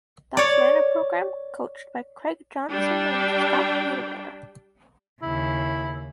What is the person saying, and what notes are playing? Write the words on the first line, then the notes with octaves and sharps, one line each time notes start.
Ducks minor program coached by Craig Johnson and Scott Niedermayer.
C#5 D5
G3 D4 G5
D#2 C#3 E4